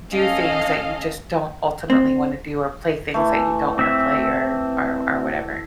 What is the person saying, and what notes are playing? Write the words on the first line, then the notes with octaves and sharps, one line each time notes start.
do things that you just don't ultimately wanna do, or play things that you don't wanna play or or or whatever?
C#4 A4 D#5 F5
C4
E3 A3
C4 E5